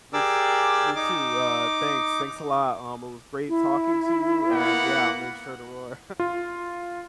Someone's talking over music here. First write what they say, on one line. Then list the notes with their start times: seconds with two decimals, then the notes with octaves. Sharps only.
you t you too, uh, thanks thanks a lot, um, it was great talking to you and yeah, I'll make sure to roar.
0.13 G4 G#4 A#4 D5 D6 E6
0.96 D#4 D6
3.49 E4
4.50 A#3 B3 F#5
6.20 F4